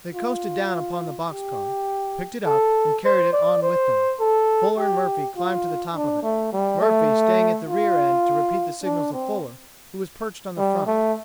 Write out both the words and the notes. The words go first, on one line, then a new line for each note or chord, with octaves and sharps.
They coasted down upon the box-car, picked it up and carried it on with them. Fuller and Murphy climbed to the top of it; Murphy, staying at the rear end to repeat the signals of Fuller, who was perched on the front.
F4
G4
A4
C5
D5
C5
A4
G4
F4
D4
A3
G3
A3
F4
D4
C4
G3
A3